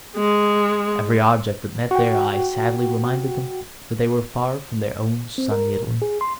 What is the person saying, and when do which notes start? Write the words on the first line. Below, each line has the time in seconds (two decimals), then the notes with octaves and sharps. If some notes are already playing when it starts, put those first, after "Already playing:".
Every object that met their eye sadly reminded them that they were far from their own sunny Italy.
0.16 G#3
1.91 F#4 G5
5.38 C4
5.52 A#4
5.88 A#2
6.02 G#4
6.21 C6